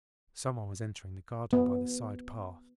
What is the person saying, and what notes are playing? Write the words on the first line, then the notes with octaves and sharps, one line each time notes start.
Someone was entering the garden by the side path.
B3